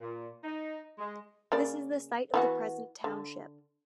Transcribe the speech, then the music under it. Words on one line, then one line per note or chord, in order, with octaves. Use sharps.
This is the site of the present township.
A#2
D#4
G#3
C#3 A#3 D5
E3 B3 F#4
D3